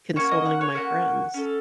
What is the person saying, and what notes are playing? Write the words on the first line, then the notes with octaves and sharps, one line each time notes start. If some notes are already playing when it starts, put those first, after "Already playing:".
consoling my friends?
A#3 C#4 F#4 C#5 C#6
D#5 D#6
F#5 F#6
C#5 C#6
A#3 C#4 F#4 F#5
C#4 A4